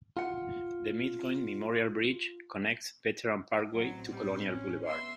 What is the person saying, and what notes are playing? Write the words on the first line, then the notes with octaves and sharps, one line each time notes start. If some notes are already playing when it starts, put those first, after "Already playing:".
The Midpoint Memorial Bridge connects Veterans Parkway to Colonial Boulevard.
F4 F#5
A1 F#3 C4
G3
C#4
B3 E5 C6 E6